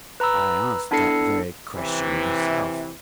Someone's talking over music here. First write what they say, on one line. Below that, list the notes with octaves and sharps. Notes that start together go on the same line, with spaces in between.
I asked that very question myself.
B4 A#5 B5 E6
B3 D4 E4 A4 C7 C#7
C3 E3